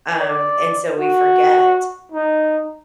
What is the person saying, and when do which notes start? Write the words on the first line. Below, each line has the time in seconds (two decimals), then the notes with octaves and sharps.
um, and so we forget.
0.20 D5
0.99 F#4
2.12 D#4